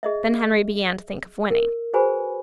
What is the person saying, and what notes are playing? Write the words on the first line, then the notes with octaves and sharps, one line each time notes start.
Then Henry began to think of winning.
G#4 D#5 E5
A#4
F#4 G#4 B4 C5 G#5 B5